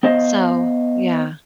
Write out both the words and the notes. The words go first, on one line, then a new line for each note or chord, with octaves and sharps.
So, yeah.
B3 C5 D#5 F5